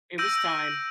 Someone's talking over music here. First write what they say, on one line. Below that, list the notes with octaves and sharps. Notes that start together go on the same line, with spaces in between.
it was time.
E6 G6 A#6 D7 D#7